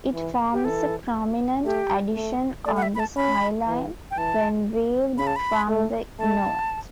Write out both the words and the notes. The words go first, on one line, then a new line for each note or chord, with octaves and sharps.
It forms a prominent addition on the skyline when viewed from the north.
E3
G4
E3 A4
A3 G4
A3
A3 D5
F#5
E5
B5
A5
C#4 B5
E3
G5
E3 A5
C#3 B5
A5
B5
A3
A3 A5